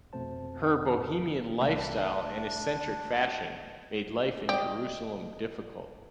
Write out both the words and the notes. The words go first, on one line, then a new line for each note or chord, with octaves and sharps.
Her Bohemian lifestyle and eccentric fashion made life in Jerusalem difficult.
F2 B2 A3 C4 C5 A5
C2 A3 D4
G4 D5 D#5